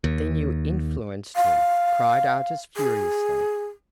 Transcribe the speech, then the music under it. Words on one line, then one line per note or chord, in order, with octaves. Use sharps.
"Then you influenced him," cried Artis furiously.
D#2
F5
G#4